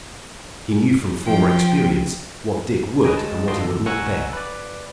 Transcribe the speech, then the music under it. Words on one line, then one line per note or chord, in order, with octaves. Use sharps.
He knew from former experience what Dick would and what he would not bear.
F3 G5
G#4 B4 C#5 D#5 G5 G#5
G#3 A5
D4 F4 F#4 D#5 G5 C6
A1 F#2 D3 A4
F#5 G#5 A#5 C#6 E6 F#6
B4 D5